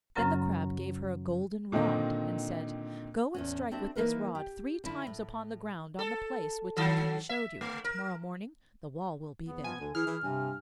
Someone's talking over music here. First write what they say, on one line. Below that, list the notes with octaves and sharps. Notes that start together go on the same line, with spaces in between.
Then the Crab gave her a golden rod, and said, 'Go and strike with this rod three times upon the ground on the place which the King showed you, and to-morrow morning the wall will be there.'
F#2 C#3 F#3 C#4 A#4 A#5
A#2 D3 D#3 C4 D#4
E2 A2 C#4
C4 D4 F#4 A4 E5
E3 A#3 D#4 E4 A#4 B4
G4
D3 E4 F4
A2
A4
D#3 F#3 A4
E5
A3
A#4
E2 B3
F3 G#5
D2 D3
E3 E4 G#4 F6
E3
G2 C3 G#5